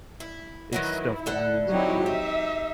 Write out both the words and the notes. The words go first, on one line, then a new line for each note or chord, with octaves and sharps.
It's stuff that I'm insecure about.
E4
D#3 E3 F#3 E4
D3 A4 F#5
F#3 C4 D#4 E4 G4
D#4 G4 E5